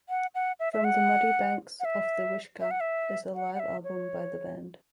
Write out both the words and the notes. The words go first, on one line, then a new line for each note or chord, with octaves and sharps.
"From the Muddy Banks of the Wishkah" is a live album by the band.
F#5
F#5
E5
E5
F#5
F#5
E5
E5
F#5
E5
F#5
F#5
E5
C#5